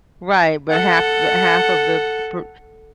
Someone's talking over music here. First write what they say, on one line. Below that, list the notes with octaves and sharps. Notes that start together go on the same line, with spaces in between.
Right, but half the half of the per
A4 F#5